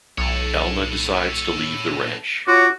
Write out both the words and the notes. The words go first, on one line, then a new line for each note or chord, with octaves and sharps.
Alma decides to leave the ranch.
B1 A4 C#5
F4 F#4 C#5 D6